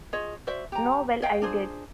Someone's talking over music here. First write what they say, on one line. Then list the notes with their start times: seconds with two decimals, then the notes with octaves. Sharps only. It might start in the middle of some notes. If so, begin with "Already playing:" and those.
No - well, I did.
0.13 F4 G#4 C#5 D#5
0.47 F#4 C5 D5 E5
0.72 G4 A#5
1.22 C#5 D#5 F5 G5
1.42 D4 F4 G#4 C5